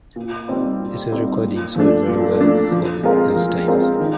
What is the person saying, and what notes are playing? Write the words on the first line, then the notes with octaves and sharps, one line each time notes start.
Ace's recordings sold very well for those times.
A#2
G3 C4 D#4
A#2
G3 C4 D#4
A#2
F3 A3 D4
A#2
F3 A3 D4
F3
G#3 C4 F4 A#4
F3
G#3 C4 F4 A#4
D#3